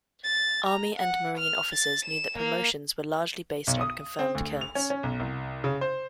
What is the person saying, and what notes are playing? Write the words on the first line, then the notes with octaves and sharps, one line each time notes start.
Army and marine officers knew that promotions were largely based on confirmed kills.
A6
A#5
F#5
F6
A6
E7
A#3
B1
D#6
C4
D2
F7
C#4
C#4
B1
C2
C#3
C5